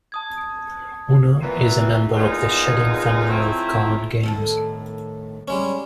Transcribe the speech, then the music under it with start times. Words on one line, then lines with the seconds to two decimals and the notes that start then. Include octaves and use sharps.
Uno is a member of the shedding family of card games.
0.12 A5 D#6 G#6
1.42 A#2 E3 B3
2.16 E2 A#2 G#3 D#4 F4 G#4
3.28 F3 F#3 A3 C4 E4
4.23 A2 D#3 A4
5.48 G3 G#3 C#4